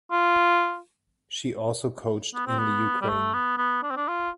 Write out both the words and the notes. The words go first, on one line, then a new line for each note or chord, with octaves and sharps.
She also coached in the Ukraine.
F4
B3
C4
B3
G3
A3
B3
B3
D4
C4
D4
F4